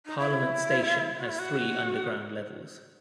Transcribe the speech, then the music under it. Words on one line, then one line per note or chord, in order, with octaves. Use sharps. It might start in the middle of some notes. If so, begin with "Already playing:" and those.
Parliament station has three underground levels.
D#4
E4
F#4
E4
F#4